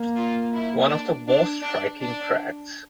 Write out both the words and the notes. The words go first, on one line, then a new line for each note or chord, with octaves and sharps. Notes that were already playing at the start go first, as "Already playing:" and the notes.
One of the most striking tracks.
Already playing: A#3
F4
E4
D4
D4
D4
D4